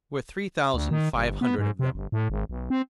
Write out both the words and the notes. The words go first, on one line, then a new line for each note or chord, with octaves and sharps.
There were three thousand five hundred of them.
D2
D#3
G1
B3
G#2
C3
G1
A2
G#1
B1
C4